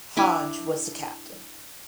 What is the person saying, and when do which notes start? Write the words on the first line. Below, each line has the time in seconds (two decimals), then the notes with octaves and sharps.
Hodge was the captain.
0.17 D4 E4 G#5